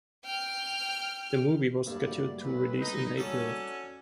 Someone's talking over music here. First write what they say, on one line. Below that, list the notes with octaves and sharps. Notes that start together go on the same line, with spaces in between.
The movie was scheduled to release in April.
G5 F6
G2 F#3 G3 A3 A#3 D5
B1 B4
D#4
C#4 D#4 F#4 A4 C#5 D5 G#5 D6